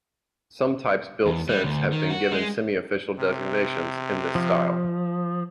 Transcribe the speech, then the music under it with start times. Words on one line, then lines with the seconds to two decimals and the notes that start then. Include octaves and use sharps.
Some types built since have been given semi-official designations in this style.
1.26 E2
1.49 G3
1.64 D2
1.92 D#3
2.10 F#4
2.32 G#3
3.19 C3
4.35 F3